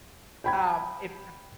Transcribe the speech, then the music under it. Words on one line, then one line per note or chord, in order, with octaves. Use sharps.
Um, if if
G5 B5 G#6